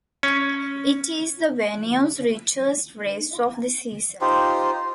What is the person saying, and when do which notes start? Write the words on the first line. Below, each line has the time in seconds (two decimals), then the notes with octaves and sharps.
It is the venue's richest race of the season.
0.23 C#4
4.21 D#4 F4 G4 C5